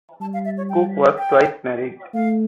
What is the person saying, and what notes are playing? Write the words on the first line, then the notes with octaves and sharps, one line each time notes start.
Cook was twice married.
G3 A5
F5
E5
C#5
G5
G5
A3 F5